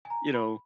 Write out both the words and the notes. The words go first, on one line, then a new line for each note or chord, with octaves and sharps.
you know,
G#5
A#5
B5